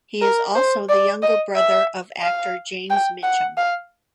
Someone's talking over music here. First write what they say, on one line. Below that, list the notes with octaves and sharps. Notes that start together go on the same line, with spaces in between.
He is also the younger brother of actor James Mitchum.
A#4
C5
D5
D#5
E5
F5
G5
F#5
F5